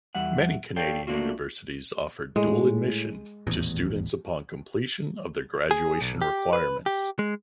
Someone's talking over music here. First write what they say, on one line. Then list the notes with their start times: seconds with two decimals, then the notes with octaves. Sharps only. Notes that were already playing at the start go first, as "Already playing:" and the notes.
Many Canadian universities offer dual admission to students upon completion of their graduation requirements.
0.15 E2 G3 E5 F#5
0.76 A4 C#5 D5 F5 G5
1.07 A3 A#3 D4 F4 F#4
2.36 A2 G#3
3.47 D#1 A1 E2
5.71 G#4
6.01 B1
6.22 G4
6.53 B4
6.86 G4
7.19 G#3